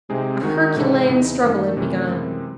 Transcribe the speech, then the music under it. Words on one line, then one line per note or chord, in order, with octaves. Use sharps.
A herculean struggle had begun.
C3 G#3 C4 D#4 G#4
D#3 G#3 D#4 F#4
G#2 C3 E3 C4 E4 A4
E2 C#3 E3 C4 D#4
F#2 D#3 A3 D#4 A4
F#2 C3 E3 A3 C#4
C3 E3 G#3 C4